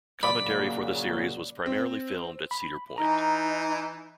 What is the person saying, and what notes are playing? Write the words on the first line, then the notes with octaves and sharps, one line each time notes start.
Commentary for the series was primarily filmed at Cedar Point.
A#2 C#3 F#3 D5 B5
C4
B5
E3 D#4 A#5